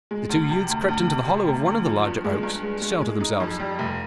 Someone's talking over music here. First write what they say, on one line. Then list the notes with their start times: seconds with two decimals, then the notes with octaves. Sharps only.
The two youths crept into the hollow of one of the larger oaks to shelter themselves.
0.11 G#3
0.30 D2
0.50 C3
0.69 D2
0.88 D2
1.07 C3
1.27 C3
1.46 D2
1.66 D2
1.86 F3
2.04 G2
2.24 G#3
2.43 G2
2.63 G#3
2.82 G#3
3.01 G#3
3.21 D#4
3.40 F2
3.59 G3
3.79 F1